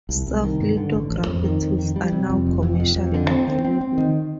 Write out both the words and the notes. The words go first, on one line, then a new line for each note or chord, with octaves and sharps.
Soft lithography tools are now commercially available.
C2
C2
D#3
G2
D3
A1
A1
F2
D#3
F2
D#3
G3
C3
F2
F1
F2
F2
F2
D3
C4
C4
C4
C4
D#3